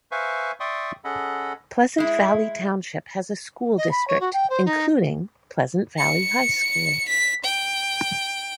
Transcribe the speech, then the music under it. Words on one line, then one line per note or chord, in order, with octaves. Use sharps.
Pleasant Valley Township has a school district, including Pleasant Valley High School.
B4 C5 E5 F5 G#5 C#6
D5 E5 G5 C6 C#6 D#6
C#4 G#4 A4 D#5 F#5 B5
G#3 E4
D#5
B5
C#5
F#4
G5
C5
D#4
C#7
B6
G5